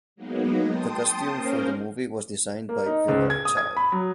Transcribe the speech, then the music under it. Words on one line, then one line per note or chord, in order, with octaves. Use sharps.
The costume for the movie was designed by Vera Chow.
F#3 G#3 A#3 B3 D#4
G5 A5 C6 D#6
A#3 C#4 A#4 C5
A#3
D#4
C#2
G#6
D#6
G#6
B5
F#3